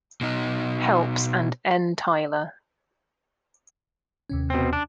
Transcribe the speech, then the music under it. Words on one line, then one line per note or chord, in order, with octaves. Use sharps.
Helps and N. Tyler.
B2 D#4
D#2 C3 C#4
B2 C4
D4